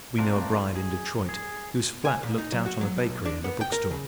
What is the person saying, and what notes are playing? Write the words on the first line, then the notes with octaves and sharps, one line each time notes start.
We know a bride in Detroit whose flat looked out on a bakery and a bookstore.
A3 C4 D4 F4 A#4
G#4
G#4
G#5
A#2
D#4
F#3
F#4
F#3
B1
D4
B3
G5
A#4
C#3